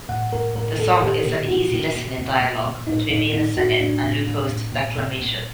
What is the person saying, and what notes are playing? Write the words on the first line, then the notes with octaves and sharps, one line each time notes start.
The song is an easy listening dialogue between Mina's singing and Lupo's declamation.
A2 F#5
A2 A#4
A2 A#4
A2 A4
A#2 G4
A#2
A#2 F#4
A#2
A#2
A#2
A#2
A#2
A2 D#4
A2 D#4
A2 D#4
A2 F#4
A2 D4
A2
A2
A2
A#2
A#2
A#2